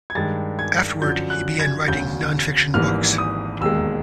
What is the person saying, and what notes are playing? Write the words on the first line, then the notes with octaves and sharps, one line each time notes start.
Afterward, he began writing non-fiction books.
G#6
G2 D#3 G#3 A6
G#6
F#2 D3 F3 G6
F#6
G#6
E1 D2 C#3 F#3 G6
G#1 G#2 E3 G3 A#3 F6
D#6
E1 D#2 D#3 G#3 E6